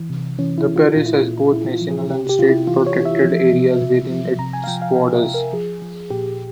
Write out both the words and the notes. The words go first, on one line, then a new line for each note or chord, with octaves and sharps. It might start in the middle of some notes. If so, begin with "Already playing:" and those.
The parish has both national and state protected areas within its borders.
Already playing: E3
C3
E3 C#4
E4
E3
F4
A#2 F4
E4
F4
A#2
A#2 E4
F4
F3
G#4
C3 G4
G4
C3 F4
E4
E3 F4
C#5
E3
E5
F3
C3
C3
F3
C3 A#5
G#5
F5
F3 G5
F5
C3 F5
E5
C3
A#4
F3 G#4
F3
A#2 G4